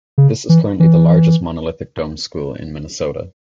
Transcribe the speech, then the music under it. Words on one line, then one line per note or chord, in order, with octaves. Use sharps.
This is currently the largest monolithic dome school in Minnesota.
C#3
E3
E3